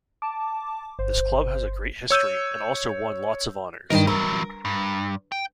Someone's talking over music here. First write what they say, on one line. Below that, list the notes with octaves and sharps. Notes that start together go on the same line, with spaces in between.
This club has a great history, and also won lots of honours!
A5 D6
G1 C5
C#5 E6 G6 D#7
G2 D#3 A#4 D#5 G5
E3 F#3 A#4
G2
G5